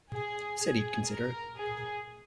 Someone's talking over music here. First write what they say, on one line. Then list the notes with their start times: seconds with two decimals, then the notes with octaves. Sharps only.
Said he'd consider it.
0.10 G#4
0.59 G#4
1.07 A#4
1.56 G#4